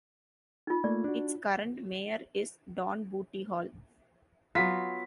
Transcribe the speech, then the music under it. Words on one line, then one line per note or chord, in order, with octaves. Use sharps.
Its current mayor is Don "Booty" Hall.
D#4 F4
A3 A#3 D5
D4 F#4
F#3 B3 F4 B6